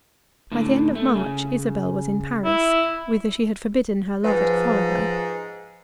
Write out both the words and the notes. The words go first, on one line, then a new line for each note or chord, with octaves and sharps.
By the end of March Isabel was in Paris, whither she had forbidden her lover to follow her.
A2 D3
A3
C#3
E4
G#2 F3 B4